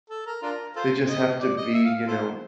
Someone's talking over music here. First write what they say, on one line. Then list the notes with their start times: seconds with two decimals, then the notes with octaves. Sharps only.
they just have to be, you know,
0.10 A4
0.26 A#4
0.43 D4 F4 A#4
0.76 F4 A4 C5
1.08 D#5
1.41 D5
1.57 D#5
1.74 E5
1.85 F5
1.96 F5
2.08 F4 A4 C5